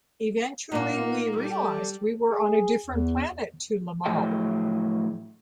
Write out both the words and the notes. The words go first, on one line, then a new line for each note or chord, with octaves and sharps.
Eventually, we realised we were on a different planet to Limahl.
A#2 A#3 D#4 F4 F#5
G3 A4 D5
G#4
E2
A2 F3 F#3 G#4 D#5 G5